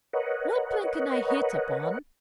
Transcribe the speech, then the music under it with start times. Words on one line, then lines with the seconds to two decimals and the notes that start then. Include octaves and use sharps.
What plan can I hit upon?
0.13 A#4 B4 C#5 D#5 F#5